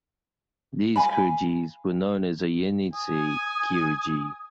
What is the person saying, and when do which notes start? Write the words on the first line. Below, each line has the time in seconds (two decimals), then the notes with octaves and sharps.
These Kyrgyz were known as the Yenisei Kyrgyz.
0.96 F5 G#5 B5
2.94 G#5 D#6